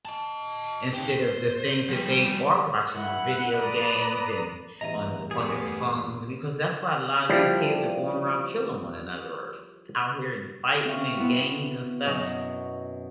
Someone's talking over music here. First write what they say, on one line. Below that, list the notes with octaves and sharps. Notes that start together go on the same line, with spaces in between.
instead of the things that they are watching on video games, and on the on their phones because that's why a lotta these kids are going around killing one another or f out here and fighting in gangs and stuff,
D#5 A5
D#4 G4
C5
F3 G3
E4 F#5
B4 D5 A#5 D#6
A1 E2 G2 D#5 E5 A#5 D#7
A3 B3 G4 G#4 F5
F3 G3 A#3 D4 E4
C4 E5 F5 C#6
B3 E4 F#4
F#2 B2 F#3 D#5 F#5